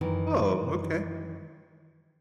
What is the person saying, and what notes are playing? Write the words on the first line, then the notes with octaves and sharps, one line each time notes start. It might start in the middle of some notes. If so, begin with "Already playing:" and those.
Oh, okay.
F#2 D#3 E3